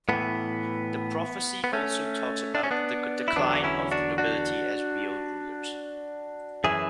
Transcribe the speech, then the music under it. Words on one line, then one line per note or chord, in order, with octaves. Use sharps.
The prophecy also talks about the decline of the nobility as real rulers.
A2 E3 B3
B3
A3 C#4
D4
C#4
B3 D4
E4
E2 D3 F#3 B3 D4
C#4 E4
D4 F#4
D4 F#4
F#2 E3 E4 G#4